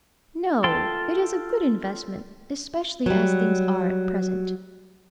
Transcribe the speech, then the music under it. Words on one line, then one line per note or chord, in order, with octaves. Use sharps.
"No, it is a good investment; especially as things are at present."
F4 A4 G5 A5 C6
F#3 G3